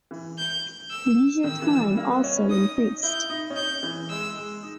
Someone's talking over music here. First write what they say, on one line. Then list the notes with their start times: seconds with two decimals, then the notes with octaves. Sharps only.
Leisure time also increased.
0.11 E3
0.38 G6
0.91 E6
1.44 D#3 E6
1.62 E3
1.80 G3
1.97 A#3
2.10 B3
2.24 C#4
2.38 C#4
2.50 D#4 D#6
2.77 D#4
3.03 E4 G6
3.30 D#4
3.50 C#4
3.56 D#4 G6
3.83 E3
4.10 G#3 E6
4.36 G#3
4.63 D#4